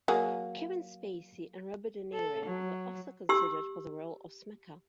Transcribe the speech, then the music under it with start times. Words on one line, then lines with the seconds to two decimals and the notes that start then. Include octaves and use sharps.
Kevin Spacey and Robert De Niro were also considered for the role of Smecker.
0.08 F#3 A#3 G#4
2.13 A4
2.46 F#3
3.29 G4 C6 E6